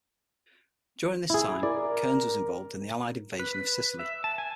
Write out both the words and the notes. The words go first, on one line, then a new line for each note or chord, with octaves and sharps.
During this time, "Cairns" was involved in the Allied invasion of Sicily.
E4 G#4
A#4 D5
B4
E5
A5
G#5